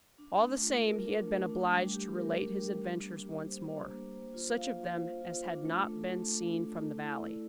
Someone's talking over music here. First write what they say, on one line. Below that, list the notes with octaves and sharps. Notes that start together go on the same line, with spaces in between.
All the same he had been obliged to relate his adventures once more-- such of them as had not been seen from the valley.
D4
A3
F4
A#4
D4
A3
D4
G3
G4
A#4
D4
G3
D4
A#3
G4
C5
D4
A#3
C5
F4
F5
F4
C5
F4
D4
A3
A4
A3
D4
A3
A4
E4
D5